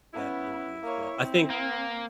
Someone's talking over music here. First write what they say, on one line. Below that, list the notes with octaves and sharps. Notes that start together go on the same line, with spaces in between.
that movie, as well. I think
B3 C#4 E4
A#3 C#5
C4
A#3